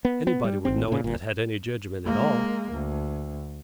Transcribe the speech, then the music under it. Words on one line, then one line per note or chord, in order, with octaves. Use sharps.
Anybody would know it that had any jedgment at all.
B3
B3
G3
G#1 C4
A#2 C#3
G1 A#2
G#3 A#3
D2